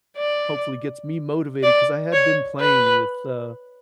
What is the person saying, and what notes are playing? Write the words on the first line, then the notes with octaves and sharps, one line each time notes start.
hopefully gets me motivated 'cause I had been playing with, uh,
D5
D5
C#5
B4